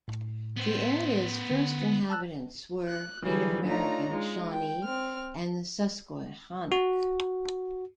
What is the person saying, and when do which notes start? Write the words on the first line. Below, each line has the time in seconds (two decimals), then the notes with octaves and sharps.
The area's first inhabitants were Native American Shawnee and the Susquehannock.
0.08 A2
0.57 B3 C5
1.51 D3
2.10 A5 E6 F#6
2.89 F#6
3.22 D3 E3 F#3 G3 G#4 B4
3.65 A3 D4 D#4 F4 C#5 A#5
4.10 G#3 D#4 F4
4.51 G5
4.84 C4 F6
6.72 F#4